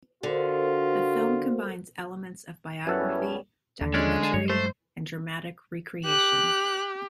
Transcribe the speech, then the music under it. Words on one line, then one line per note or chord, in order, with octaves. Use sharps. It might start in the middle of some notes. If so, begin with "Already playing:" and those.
The film combines elements of biography, documentary, and dramatic re-creation.
D3 F4 F#4 A4 A#4 C5
F#2 E3 G3 B3 C#4 A4 F#5
D#2 D3
G#3 C#4 D4 D5
F5 G#5 A5
G2 F#3 G#3 C#5
A3 C5
G4 F#6